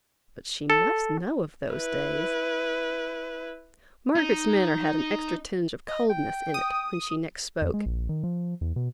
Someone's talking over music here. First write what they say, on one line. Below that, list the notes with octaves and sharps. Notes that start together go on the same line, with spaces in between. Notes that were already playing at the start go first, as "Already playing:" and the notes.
But she must know of those days.' Margaret's manner had an extra tinge of coldness in it when she next spoke.
A4
E4 B4
D#4
D#5
G5
D#6
F2
G#3
A#1
D#3
F3
E2
B2